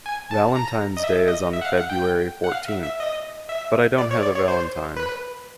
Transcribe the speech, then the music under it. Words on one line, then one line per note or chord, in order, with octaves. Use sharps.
Valentine's Day is on February fourteenth, but I don't have a valentine.
G#5
A5
A#5
D#5
E5
D#5
E5
F#5
F5
F#5
G5
F#5
F5
E5
E5
D#5
E5
D5
C#5
D5
C#5
C5
B4